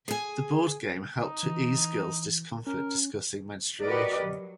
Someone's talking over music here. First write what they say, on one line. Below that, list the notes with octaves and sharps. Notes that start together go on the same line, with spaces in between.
The board game helped to ease girls’ discomfort discussing menstruation.
G#4 G#5
D#4
E3
C#4 A#4
F#4 G4 A#4 B4 D5 D#5
F#3